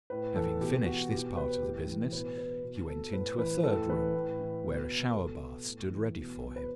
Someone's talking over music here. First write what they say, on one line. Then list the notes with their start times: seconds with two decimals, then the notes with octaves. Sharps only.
Having finished this part of the business, he went into a third room, where a shower bath stood ready for him.
0.10 A2 B4
0.36 E3 A4
0.61 B2 G4
0.86 F#4
1.11 B2 G4
1.37 B4
1.62 A2 G4
1.87 E3
2.12 B2 B4
2.38 B4
2.63 B2
2.88 A4
3.13 A2 B4
3.38 E3 B4
3.64 A2 A4
3.89 E3 B4
4.14 A2
4.39 E3
4.64 B2
5.15 B2 A4
5.66 A2
5.91 E3
6.17 B2
6.56 B4